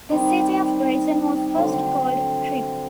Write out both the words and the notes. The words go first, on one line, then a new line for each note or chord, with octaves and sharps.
The city of Grayson was first called Trip.
D#3 G3 C4 D#4
D3 F#3 A3 C4